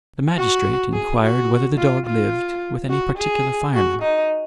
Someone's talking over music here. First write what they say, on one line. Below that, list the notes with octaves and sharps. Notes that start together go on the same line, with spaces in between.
The magistrate inquired whether the dog lived with any particular fireman.
F#4
G#4
F#4
F4
F4
F#4
G#4
F#4
D#4